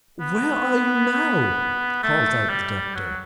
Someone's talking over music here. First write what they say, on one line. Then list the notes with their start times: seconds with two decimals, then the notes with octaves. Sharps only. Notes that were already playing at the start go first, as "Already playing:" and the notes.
"Where are you now?" called out the doctor.
0.20 B3
2.03 A3
2.49 G3
2.95 F#3